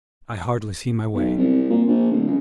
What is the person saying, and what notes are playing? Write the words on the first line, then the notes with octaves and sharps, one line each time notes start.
I hardly see my way.
B1
C2
A#2
A#1
D1
C#2